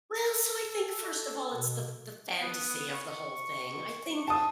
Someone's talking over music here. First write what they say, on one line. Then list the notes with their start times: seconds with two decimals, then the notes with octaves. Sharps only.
Well, so I think, first of all, it's the the fantasy of the whole thing. I think,
0.25 A4
1.54 B2
2.41 B3 F#5 D#6
2.93 C#6
4.28 A5 D#6